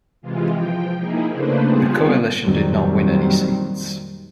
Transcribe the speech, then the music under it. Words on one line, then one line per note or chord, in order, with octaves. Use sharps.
The coalition did not win any seats.
C3 E3 G#3 F4
F3 G5
A#3 D#4 E4 G#4
C#3 A3 A#3 D4 B4 C5
G3 B3 C4 F4 G#4
F2 A#2 D#3 F#3 G3 C4